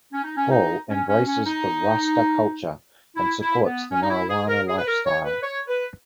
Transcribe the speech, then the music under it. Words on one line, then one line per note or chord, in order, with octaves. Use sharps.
Hall embraces the Rasta culture and supports the marijuana lifestyle.
C#4
D#4
C#4
D#4
C#4
C#4
C#4
D#4
E4
E4
B3
C#4
D#4
E4
G#4
A#4
G#4
B4
A#4
C#5
B4
C#5
B4